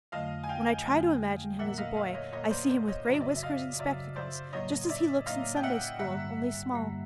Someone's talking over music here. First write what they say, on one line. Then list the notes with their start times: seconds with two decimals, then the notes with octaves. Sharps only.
When I try to imagine him as a boy I see him with gray whiskers and spectacles, just as he looks in Sunday school, only small.
0.12 F2 D3 F#3 A3 D#5 F5
0.44 G#5
0.49 F5 G5
0.86 F2 D3 F#3 A3
1.59 A#2 F#3 A#3 E5 F#5
1.78 D#5 F5
1.96 D#5 F5
2.14 C#5 D#5
2.32 A#2 F#3 A#3 C#5 D#5
2.51 C5 D5
2.69 C5 D5
2.88 C#5 D#5
3.06 F#2 C#3 F#3 E5
3.14 D#5
3.20 D5 E5
3.36 E5
3.43 D#5 F5
3.79 F#2 C#3 F#3 D5 E5
4.16 C5 D5
4.53 A2 F#3 A#3 D#4 C#5 D#5
4.89 D5 E5
5.26 A2 F#3 A#3 D#4 D#5 F5
5.56 G5
5.63 E5 F#5
5.99 G2 D3 G3 A#3 E5 F#5
6.73 G2 D3 G3 A#3